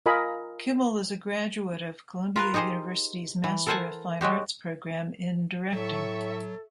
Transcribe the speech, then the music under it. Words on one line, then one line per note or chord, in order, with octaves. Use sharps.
Kimmel is a graduate of Columbia University's Master of Fine Arts program in Directing.
F4 A#4 D#5 G#5 B5
F4 A#4 B4
D#4 G4 G#4 C5 D#5
E3
A4 A#4 C5 F#5 G#5 A5
F#3 G#3 F#4 G4
A2 F#3 A4 E5 C#6